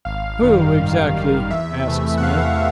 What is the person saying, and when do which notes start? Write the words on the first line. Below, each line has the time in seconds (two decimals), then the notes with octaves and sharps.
"Who, exactly?" asked Smith.
0.05 G#1 F5
0.42 F#2 D#3 G3
0.77 G#1
1.14 F#2 D#3 G3
1.50 E2 E5
1.87 C3 E3 A3
2.18 F#5
2.23 E2 F5